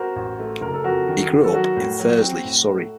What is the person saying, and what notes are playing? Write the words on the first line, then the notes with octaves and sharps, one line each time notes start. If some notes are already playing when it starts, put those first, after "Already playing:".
He grew up in Thursley, Surrey.
Already playing: F#4 A#4 C5
A1
A3
F#1 A#4
A4
F2 F#4 A#4
D#3
D#3
A4
F#3 F#4 A#4
A2
F#3
C4
A2
A3